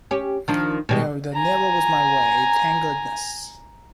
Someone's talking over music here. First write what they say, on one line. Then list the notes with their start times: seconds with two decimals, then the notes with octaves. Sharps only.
No, that never was my way, thank goodness.
0.11 C#4 G4
0.48 D#3 F3 D4
0.89 B2 G3 G#3
1.34 G#5 A#5